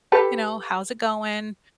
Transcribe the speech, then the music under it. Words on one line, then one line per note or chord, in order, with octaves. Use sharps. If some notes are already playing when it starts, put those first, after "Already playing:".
you know, how's it going?"
G4 A4 B4